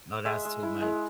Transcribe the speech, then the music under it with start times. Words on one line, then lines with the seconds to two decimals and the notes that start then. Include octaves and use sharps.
No, that's too much
0.25 G#3 E5
0.45 G#3
0.63 E4
0.81 G#3